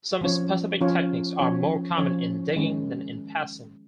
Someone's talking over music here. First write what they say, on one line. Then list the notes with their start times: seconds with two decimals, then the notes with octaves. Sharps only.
Some specific techniques are more common in digging than in passing.
0.21 F3 C#4 F4 C#5
0.81 F3 C#4 F4 C#5
1.39 F3 C#4 F4 C#5
1.98 F3 C#4 F4 C#5
2.56 D#3 G#3 C#4